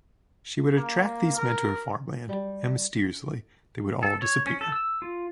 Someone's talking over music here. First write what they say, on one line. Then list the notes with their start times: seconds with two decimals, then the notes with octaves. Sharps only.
She would attract these men to her farmland, and mysteriously they would all disappear.
0.77 A#3
1.36 A#4
2.29 G3
4.03 A4
4.22 C#5
4.47 C#4
4.61 A4
4.72 E6
5.02 F4